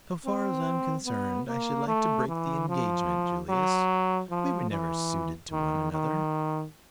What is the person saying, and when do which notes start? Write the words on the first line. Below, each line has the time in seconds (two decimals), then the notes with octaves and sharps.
"So far as I am concerned I should like to break the engagement, Julius. We were never suited to one another."
0.25 C4
1.06 B3
1.47 A#3
1.87 A3
2.28 E3
2.68 F3
3.49 F#3
4.30 F3
4.71 E3
5.52 D#3
5.92 D#3